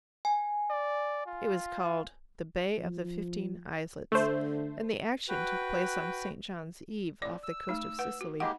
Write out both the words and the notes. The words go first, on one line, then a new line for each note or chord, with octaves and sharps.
It was called "The Bay of the Fifteen Islets," and the action took place on St. John's Eve off the coast of Sicily.
G#5
D5
F4
F3
D3 A3 C5
F#4 B4 G5
F2 A2 D5 D6
E6
A3 D#4
B4 F#5
F#4
G#3 A#3 D#4 G4 D#5 F#5